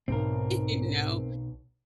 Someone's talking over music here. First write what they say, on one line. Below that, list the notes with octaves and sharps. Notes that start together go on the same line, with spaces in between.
you know,
B1 G#2 C4 A#4